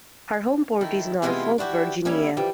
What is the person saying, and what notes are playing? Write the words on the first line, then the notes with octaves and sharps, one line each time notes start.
Her home port is Norfolk, Virginia.
D#3 E4 A4
C3 E3 G#3 B3 E4 F4
D4 E4 F#4 G4
G3 A#3 C#4 E4 E5
E3 F3 G3